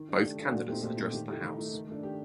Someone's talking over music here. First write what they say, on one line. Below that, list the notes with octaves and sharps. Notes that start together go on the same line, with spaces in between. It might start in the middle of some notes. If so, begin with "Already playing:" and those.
Both candidates addressed the House.
Already playing: D#3
A3 D4
D#3 G4
A3 D4
A#2 F#4
A3 C4 D#4 G4
A#2 G4
A3 C4 D#4
D#3 G4
A3 D#4 G4
D#3
A3 D#4
D#3
A3 D4
D#3 G4